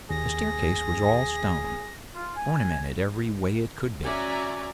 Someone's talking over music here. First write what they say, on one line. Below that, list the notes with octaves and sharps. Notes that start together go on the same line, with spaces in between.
The staircase was all stone, ornamented every way it could be.
D#2 G#4 A#6
F4
G#5
C#4 F#4 D5 E5 G#5 A#5